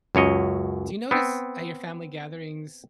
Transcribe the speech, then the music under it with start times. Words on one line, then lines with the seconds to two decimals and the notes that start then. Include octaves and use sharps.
do you notice at your family gatherings,
0.15 C#2 F#2 C#5 D#5
1.11 B3 C4